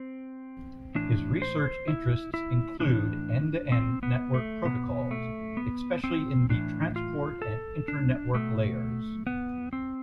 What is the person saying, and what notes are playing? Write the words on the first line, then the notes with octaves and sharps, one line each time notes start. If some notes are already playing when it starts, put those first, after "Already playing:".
His research interests include end-to-end network protocols, especially in the transport and internetwork layers.
Already playing: C4
A2 E3 D4
C5
E4
E4
A2 E3 D4
C4
B3
A3
B2 B3
A3
B3
C4
A2 E3 D4
F4
A4
D4
B2 A3
B3
C4